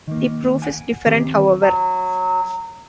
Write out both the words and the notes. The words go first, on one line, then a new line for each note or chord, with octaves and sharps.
The proof is different, however.
D#3 A#3
F#5 G#5
D#3 C4 G4
F#3